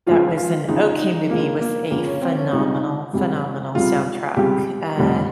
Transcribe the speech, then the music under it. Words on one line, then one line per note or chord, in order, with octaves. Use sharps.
that was an okay movie with a phenomenal, phenomenal soundtrack. Uh,
C#2 C#3 F3 F4
F4
C#2 C#3 F3 D#4
D#4
C#2 C#3 F3 A#3
A#3
C#2 C#3 F3 A#3
C#4
C4
C#4
C#2 C3 G3 D#4
C#2 C3 G3
C#2 C3 G3 F4
C#2 C3 G3 G4
F1 F2 C3 G3